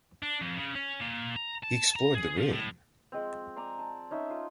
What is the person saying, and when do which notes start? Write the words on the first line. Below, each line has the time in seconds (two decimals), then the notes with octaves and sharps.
He explored the room.
0.22 D4
0.41 F2
0.57 C#3
0.75 C#4
1.01 A#2
1.36 A#5
1.63 A5
1.96 A#5
2.14 G#4
2.37 F3
2.53 A2
3.12 F3 G#3 C4
3.56 C5 D5 G#5 A#5
3.79 A5
4.11 C#4 D#4 E5
4.30 F4 C5